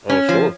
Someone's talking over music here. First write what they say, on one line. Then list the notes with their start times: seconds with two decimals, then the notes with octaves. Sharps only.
Oh, sure.
0.10 C#4
0.29 F3